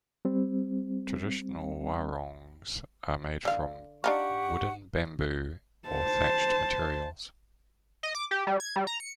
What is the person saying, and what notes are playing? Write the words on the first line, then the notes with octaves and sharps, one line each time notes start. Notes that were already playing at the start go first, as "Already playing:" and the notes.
Traditional warungs are made from wooden, bamboo or thatched materials.
G3 C4
D3 F5
D4 D#4 F4 G4 F#5 C#6
C5 A5
D#5
D6
G4
G3
G#6
G3
A#5
C#7